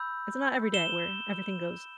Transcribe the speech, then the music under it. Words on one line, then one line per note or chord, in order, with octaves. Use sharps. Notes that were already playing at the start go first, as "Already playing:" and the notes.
It's not every day where everything goes
Already playing: B5 E6 G6
E7 G7